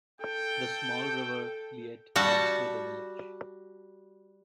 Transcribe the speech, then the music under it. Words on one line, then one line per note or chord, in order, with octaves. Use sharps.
The small river Liette runs through the village.
A4 G5
G3 F#4 A5